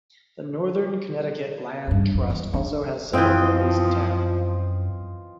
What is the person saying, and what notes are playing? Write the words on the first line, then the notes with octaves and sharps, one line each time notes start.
The Northern Connecticut Land Trust also has several properties in town.
E2 G2
F#2
E2
C#4 D4
F#2 E3 F3 C4 F4 D#5 G5